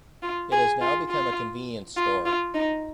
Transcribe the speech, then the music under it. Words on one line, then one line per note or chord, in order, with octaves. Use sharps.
It has now become a convenience store.
F4
G#4
F4
F4
F4
F4
D#4